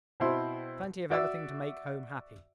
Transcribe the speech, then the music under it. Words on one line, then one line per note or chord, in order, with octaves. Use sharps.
Plenty of everything to make home happy.
B2 C4 E4 C6
F#4 D5 E5 E6